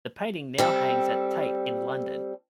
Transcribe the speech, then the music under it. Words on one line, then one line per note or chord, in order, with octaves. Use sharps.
The painting now hangs at Tate in London.
G3 C4 A4